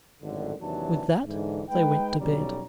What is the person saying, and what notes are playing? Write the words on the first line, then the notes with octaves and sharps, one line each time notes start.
With that they went to bed.
G#1 F#2 A2 D3
D#2 C3 E3 F#3 D4 A5
G#2 D3 E3
G#3 D#4 B4 G5
B1 F2 B2 G3 C#4 A#5